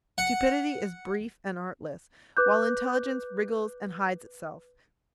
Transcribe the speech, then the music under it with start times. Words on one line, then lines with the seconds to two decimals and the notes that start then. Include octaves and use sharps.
Stupidity is brief and artless, while intelligence wriggles and hides itself.
0.18 F#5
2.37 B4 D6 F#6 G6